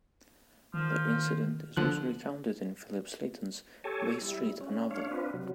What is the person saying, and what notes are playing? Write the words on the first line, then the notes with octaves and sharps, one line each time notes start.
The incident is also recounted in Philip Slayton's "Bay Street: A Novel".
D#3 F3
D3 F3 F#6
G4 A4 C#5 G#5 A5
G3 E4
C#4
D4 C#5 F5
C4 D4 F4 B4
C3 F#3